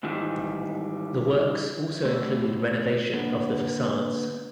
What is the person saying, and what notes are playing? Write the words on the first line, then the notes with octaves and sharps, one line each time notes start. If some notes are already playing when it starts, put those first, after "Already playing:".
The works also included renovation of the facades.
G#2 D#3 E3 G3
A3 B3 C4 G4 D5 E5
D3 A#3 B3